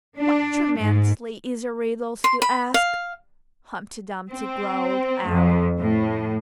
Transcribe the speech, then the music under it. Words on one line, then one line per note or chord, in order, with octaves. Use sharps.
'What tremendously easy riddles you ask!' Humpty Dumpty growled out.
D4
G#2
C6
B5
F5
C4
F2
A2